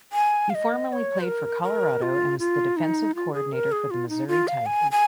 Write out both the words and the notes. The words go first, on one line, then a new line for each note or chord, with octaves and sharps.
He formerly played for Colorado and was the defensive coordinator for the Missouri Tigers.
G#5
F5
D#5
D#5
C#5
A#4
A#4
F4
F4
D#4
F4
G#4
A#4
G#4
F4
D#4
F4
F5
G#5
G#5